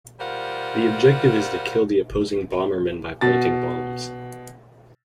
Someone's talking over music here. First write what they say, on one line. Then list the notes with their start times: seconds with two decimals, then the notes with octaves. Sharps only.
The objective is to kill the opposing Bomberman by planting bombs.
0.20 G3 F4 A#4 C5 F#5
3.21 B2 A6